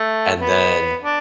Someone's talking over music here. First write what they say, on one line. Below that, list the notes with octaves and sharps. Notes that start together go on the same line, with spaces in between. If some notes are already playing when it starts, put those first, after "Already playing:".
and then
Already playing: A3
B3
D4